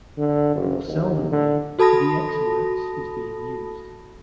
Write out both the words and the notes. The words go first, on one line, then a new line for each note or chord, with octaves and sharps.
More seldomly, VxWorks is being used.
D3
F#1
D#2
D3
F#4 A4 A5 B5 D#6 A#6